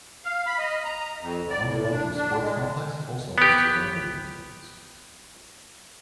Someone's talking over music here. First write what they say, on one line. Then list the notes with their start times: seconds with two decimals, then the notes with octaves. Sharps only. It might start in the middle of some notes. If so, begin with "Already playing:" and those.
The Amoranto Sports Complex also hosts a library for students.
0.25 F5
0.47 B5
0.58 D#5
0.84 A#5
1.21 F2
1.50 D5
1.63 A2
1.92 D4
2.16 D4
2.42 G#3
3.38 B3 G4